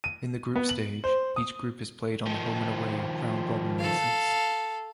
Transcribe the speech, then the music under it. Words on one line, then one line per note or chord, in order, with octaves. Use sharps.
In the group stage, each group is played on a home-and-away round-robin basis.
D#7
B3
F#7
C5
D#6
D#3 F3
A4 F5